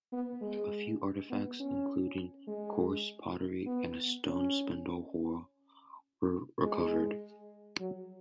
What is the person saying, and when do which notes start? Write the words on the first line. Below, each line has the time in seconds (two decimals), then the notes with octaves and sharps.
A few artefacts including coarse pottery and a stone spindle whorl were recovered.
0.12 B3
0.41 G#3
1.30 B3
1.60 C#4
2.48 G#3
3.66 B3
4.26 C#4
6.61 G#3
7.80 F#3